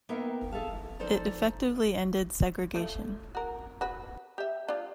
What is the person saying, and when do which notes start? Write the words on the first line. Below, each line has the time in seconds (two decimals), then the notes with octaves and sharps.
It effectively ended segregation.
0.09 A#3 B3 D#4 A#4 E5 G5
0.51 G#4 A4 E5 F5 A5
0.71 E2
0.99 F3 D#4 A4 C5 D5 A#5
2.75 A3 F4
3.35 F#4 A#4
3.81 F#4 B4
4.38 G4 E5
4.68 D4 F4